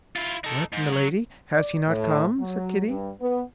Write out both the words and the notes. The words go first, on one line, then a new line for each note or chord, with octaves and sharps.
"What, Milady! has he not come?" said Kitty.
E4 F4
D#4 A4
G#2
F#3
D5
A2
F#3
G2
B3